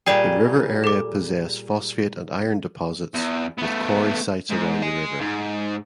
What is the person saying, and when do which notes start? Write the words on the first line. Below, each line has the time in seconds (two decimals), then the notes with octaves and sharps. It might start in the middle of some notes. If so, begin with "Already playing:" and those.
The river area possess phosphate and iron deposits with quarry sites around the river.
0.06 A#2 G3 G#4 D5 G5
0.84 A4 D6
3.14 E2
3.58 A3 B3
4.50 G#2
4.82 D#5 G#5
5.20 G#2